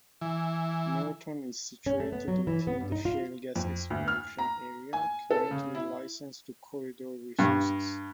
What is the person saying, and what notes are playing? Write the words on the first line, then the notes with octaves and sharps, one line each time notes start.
Norton is situated within the shale gas exploration area currently licensed to Corridor Resources.
E3
C#4
A3
B3
F#3
E3
B3
G2
D#4
F4
F2
D2
F6
A#5
G#5
A4
C#3
E4
G2